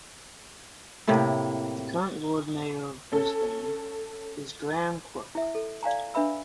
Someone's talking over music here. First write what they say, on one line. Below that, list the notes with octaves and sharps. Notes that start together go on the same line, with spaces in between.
The current Lord Mayor of Brisbane is Graham Quirk.
A2 C3 A#3 E4
C#4 A4
E4 E5
A4
D5 F5 G#5 A#5
D4 B4 E5 B5 E6